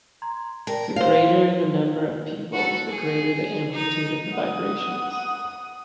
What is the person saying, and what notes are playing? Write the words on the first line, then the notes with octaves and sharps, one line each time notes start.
The greater the number of people, the greater the amplitude of the vibrations.
A#5 C6 G#6
A#4 D5 G5 A5
C5 F5
F#4 A4
G#4
D#4
F#5 D#6